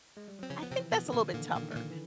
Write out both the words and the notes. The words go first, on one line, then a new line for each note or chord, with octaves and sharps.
I think that's a little bit tougher,
G#3
G3
F#3 C4
C#3 F3 C#4
B3
C3 C4
E3
B2 B3
D3
A#2 A#3
D#3
A#2 D3 A#3
A#2 A#3
D#3
A3
A#2 A#3
E3